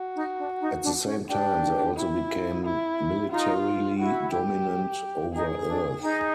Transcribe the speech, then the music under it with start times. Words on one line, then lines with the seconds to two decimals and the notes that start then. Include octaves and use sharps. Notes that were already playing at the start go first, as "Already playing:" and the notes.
At the same time, they also became militarily dominant over Earth.
Already playing: F#4
0.15 D#4
0.39 D4
0.61 D#4
0.83 D4
1.05 C#4
1.28 D4 G4
1.96 E4
2.64 E4
3.31 D#4 F4
3.99 E4 F#4
4.33 G4
5.34 D#4 G#4
5.67 D4
6.02 D#4 G#4